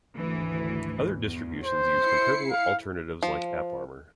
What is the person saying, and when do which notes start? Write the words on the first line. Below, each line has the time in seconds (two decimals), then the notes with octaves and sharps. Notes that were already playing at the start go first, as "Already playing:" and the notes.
Other distributions use comparable alternatives like AppArmor.
0.18 G#1 D2 E3
1.18 E2
1.64 C5
1.99 E4 C7 C#7
2.51 F5
3.23 F3